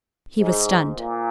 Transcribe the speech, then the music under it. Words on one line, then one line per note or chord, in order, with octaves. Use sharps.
He was stunned.
G#2
A#2